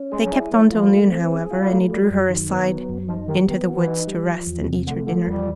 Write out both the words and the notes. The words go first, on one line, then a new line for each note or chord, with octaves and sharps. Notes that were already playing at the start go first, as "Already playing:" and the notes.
They kept on till noon, however, and he drew her aside into the woods to rest and eat her dinner.
Already playing: C#4
G#3 G#4
F#3
G3 E4
F#3 A3
F3 F4
A3
C4
G#4
F4
G3
A3
F#3 G3
F#2
D#3
F#3 B3
F#3
F#2
F3 D#4
D#3 G3
D#3 B3
E3 F#4
D#4
G3
F3
E2
C3
D3 A3
D3 F3
E2 G3